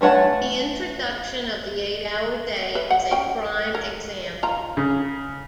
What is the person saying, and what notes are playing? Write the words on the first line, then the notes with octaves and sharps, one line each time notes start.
The introduction of the eight-hour day is a prime example.
E3 A3 C#5 F#5 A5
B4 E5
F#5
C#4 G5
A#4
F4 A#5
C#3